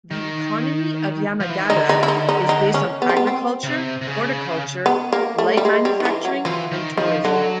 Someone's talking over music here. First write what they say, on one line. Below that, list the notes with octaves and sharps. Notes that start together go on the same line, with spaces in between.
The economy of Yamagata is based on agriculture, horticulture, light manufacturing and tourism.
D#3
F3
E3
D#3
D3 D#4
D#4
E4
D#4
D#4
D#4
C#4
B3
C4
B3
C4
C#3
C3
C3
C#3
B3
A#3
A3
G3
G#3
G3
D#3
E3
F#3
E3 F3
D#3
D#3 F3
D3 F#3